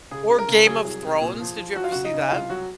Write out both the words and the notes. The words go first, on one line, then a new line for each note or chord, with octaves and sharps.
Or Game of Thrones? Did you ever see that?
C#3 G#4
C#2
A#4
C#3
F#3 G#4
C2
C3
A#2
F3
F3
F#3 F#4
F4
C#3 F#4
D#4
C#3
C2 F4
F#3 F#4